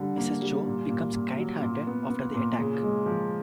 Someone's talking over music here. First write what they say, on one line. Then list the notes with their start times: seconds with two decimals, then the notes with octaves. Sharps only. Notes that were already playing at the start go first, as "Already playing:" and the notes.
Mrs Joe becomes kind-hearted after the attack.
Already playing: D3 G3
0.17 A#3
0.41 G3
0.66 A#2
0.89 A#2
1.13 A#2
1.37 F#3
1.62 A#2
1.87 B3
2.10 B3
2.34 A#2
2.59 C#3
2.83 G#3
3.06 F3